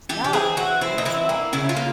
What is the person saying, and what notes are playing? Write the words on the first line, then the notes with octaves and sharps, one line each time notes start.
Yeah, may as well, right?
E3 G4
G4
C4 G#4
E3 F#4
C4 E4
D#4
E3 E4
A#3
C#3 E4
F4
A#3